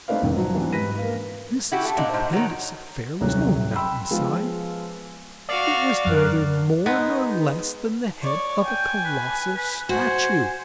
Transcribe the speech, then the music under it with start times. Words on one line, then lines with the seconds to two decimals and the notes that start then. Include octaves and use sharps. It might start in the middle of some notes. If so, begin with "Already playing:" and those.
This stupendous affair was no mountainside; it was neither more nor less than the head of a colossal statue!
0.08 A3 C4 D#4 B4 D5 F5
0.22 F1 C2 F2 A2 D#3
0.36 F3 F#3
0.55 E3 G3 B3 C4 D4
0.72 G#2 B4 A#6 B6 D#7
0.98 A#3 B4 F5
1.72 E4 F#4 G4
1.85 A3
1.97 A#2 D4 D#4
2.09 G#2 C5
2.33 D#3 F#3
3.21 D#1 C2 C3 F#3 C#5 F#6
3.76 G5 B5 C6 E6
4.11 F3 G#3 B3 F4
5.49 F#4 D5 F5
6.07 F#2 A#4 F6 F#6
6.86 G#3 B3 D#4
8.23 C#5 D5
8.65 G5 G#5
9.05 B4
9.55 B4
9.89 F#4 C5 G#5